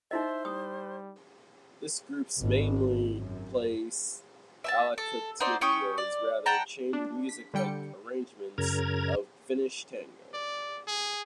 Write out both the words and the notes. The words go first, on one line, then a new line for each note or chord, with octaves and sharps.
This groups mainly plays Alakotila's rather chamber-music-like arrangements of Finnish tango.
D#4 E4 C5 D#5 E5
G3 D#6
G#1
F#2
E5 G#5 A5
A4
D#4 F#4 C5 D5
C#4 G5 C#6 D#6
D5
F#5 G5 A5 A#5
D4
B6
D3 G3 G5 C#7
F#2 C#3 A#4 A#5 G#6
D5
G#4